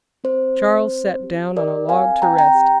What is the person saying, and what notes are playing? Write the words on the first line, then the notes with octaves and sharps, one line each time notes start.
Charles sat down on a log to rest.
C4 C5
C4
C4
G4
G4 A#4 D5
C4 F5 G#5
C4 G5 A#5
G5 A#5
G4